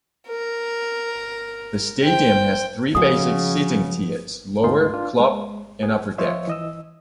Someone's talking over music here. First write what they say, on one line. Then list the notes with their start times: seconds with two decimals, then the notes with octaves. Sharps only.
The stadium has three basic seating tiers: lower, club and upper deck.
0.28 A#4
2.04 C5 G5
2.95 C#3 F3 G#3 F#4 D#6
4.63 D2 G#2 D#4 F4 C6
4.93 D4 F4
5.20 G#3
5.83 G#4
6.18 F3 F4 C5 C#5 D#5 E5
6.48 E3 D#5 E6